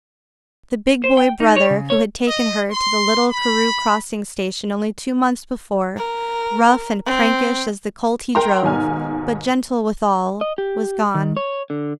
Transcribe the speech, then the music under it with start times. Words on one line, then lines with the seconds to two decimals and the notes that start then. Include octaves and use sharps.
The big boy brother who had taken her to the little Carew Crossing station only two months before, rough and prankish as the colt he drove, but gentle withal, was gone.
1.04 C5
1.17 G5
1.40 D#4
1.56 C#5
1.70 C#3
1.90 C#5
2.27 D#5
2.70 C6
3.29 B5
5.97 A#4
7.06 C4
8.35 A#4 G5 A#5 C6
8.63 D#2 G#2 B2 G#5 F6
10.41 D#5
10.58 G4
11.15 D#3
11.37 C#5
11.70 D3